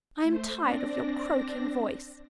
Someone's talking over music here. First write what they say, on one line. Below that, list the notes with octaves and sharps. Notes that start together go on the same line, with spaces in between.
I am tired of your croaking voice.
A3 C5
C4 D4 D5 A#6